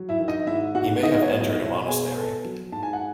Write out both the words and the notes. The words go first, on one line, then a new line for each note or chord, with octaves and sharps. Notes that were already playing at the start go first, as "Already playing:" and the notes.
He may have entered a monastery.
Already playing: F#3
E4 E5
D#3
D#4 D#5
G#2 E4 E5
G#2 F#4 F#5
B3 D#4 D#5
C#5
F#3
D#4 D#5
B2 E4 E5
B2 G#4 G#5
B3 A4 A5
F#3
G#2 A5
G#5
F#5